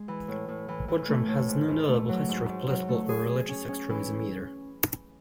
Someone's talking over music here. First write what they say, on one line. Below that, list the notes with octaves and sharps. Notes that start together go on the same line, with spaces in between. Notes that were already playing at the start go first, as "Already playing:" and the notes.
Bodrum has no notable history of political or religious extremism either.
Already playing: G#3
E3
A2
A2
E3
E3
A3
A2
G#2
G#2
A3
F#3
G#2
G#2
F#3
A3
G#4
G#4
C#4
C#4
E3